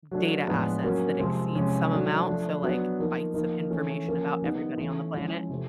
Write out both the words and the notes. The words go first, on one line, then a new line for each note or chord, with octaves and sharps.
data assets that exceed some amount, so, like, bytes of information about everybody on the planet.
F#3 A3 D4
A2 F3 G#3 B3 D4
F#3 A#3 C#4
C3 F3 G#3 C4
C3 F3 G#3 C#4
F#3 A3 D4
F3 A3 D4
F#3 B3 D4
F3 A#3 D#4
F3 A#3 D#4
E3 A3 C#4
F3 A#3 C#4
D#3 G3 B3 D#4
E3 A3 C#4 E4
F3 G#3 C#4 E4
C3 F3 A3 C4